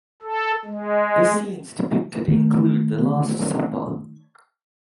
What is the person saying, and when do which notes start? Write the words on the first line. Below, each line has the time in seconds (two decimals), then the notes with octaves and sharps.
The scenes depicted include the last supper.
0.23 A4
0.65 G#3
2.28 D#3 A3